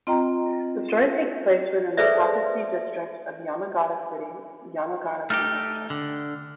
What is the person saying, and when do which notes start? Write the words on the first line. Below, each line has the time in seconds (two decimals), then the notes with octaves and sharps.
The story takes place within the Takase district of Yamagata City, Yamagata Prefecture.
0.07 C4 F4 D#5 G5 A#5
1.97 G#4 A4 B4 C5 D5 E5
5.30 A3 D#4 G4 F6
5.90 D3